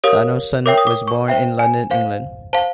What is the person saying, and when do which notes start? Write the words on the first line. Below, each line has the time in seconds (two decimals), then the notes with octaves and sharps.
Donaldson was born in London, England.
0.04 G4 A#4 C#5 F5 D#6
0.66 A#4 C#5 E5 G5 D6
0.78 D#6
0.87 D6
1.07 C#6
1.28 C5 E5 G5
1.59 G#5
1.91 C5 F5
2.53 C5 F5 A5